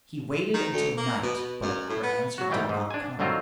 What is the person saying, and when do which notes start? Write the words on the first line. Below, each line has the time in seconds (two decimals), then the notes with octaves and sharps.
He waited until night, but her answer did not come.
0.54 D#3
0.72 D2
0.97 A#3
1.23 B2
1.37 B2
1.62 F#2
1.89 A2
2.03 B3
2.38 F#3 F#4
2.50 G#2 D#3 E3 G3 G5
2.69 G#2
2.91 D4 G#5
3.04 D4
3.19 D3 D#3 F#3 C4 F4